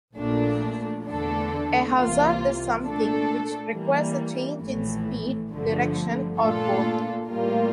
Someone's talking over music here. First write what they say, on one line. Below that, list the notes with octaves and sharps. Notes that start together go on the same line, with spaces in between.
A hazard is something which requires a change in speed, direction or both.
A#1 A#2 A3 D4
E2 D3 A3 D4 A4
C2 C3 E3 A#3 F4
A#2 A3 D4 A4
E3 G3 A#3
A#1 A2 E3 A3
G1 G2 D3 F3 A3
A#2 A3 D4 F4 A4
A2 G3 A#3 F4 A#4